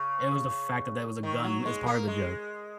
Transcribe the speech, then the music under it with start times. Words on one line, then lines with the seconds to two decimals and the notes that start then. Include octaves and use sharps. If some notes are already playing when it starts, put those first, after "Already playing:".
It was the fact that there was a gun as part of the joke,
Already playing: C#3
1.23 D#3
1.44 F#3
1.65 G#3
1.86 A#3
2.08 G#3